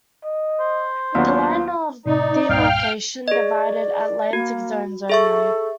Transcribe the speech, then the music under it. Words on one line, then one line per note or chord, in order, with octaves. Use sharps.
The line of demarcation divided Atlantic zones only.
D#5
C5
D#2 F#3 B3 D4 F4
A2 C3 D#4 D5
C2 G2 A#2 F5 G5 F6
G#4 D5 D#5
A#3 F#4
G#4 A4 E5 C#6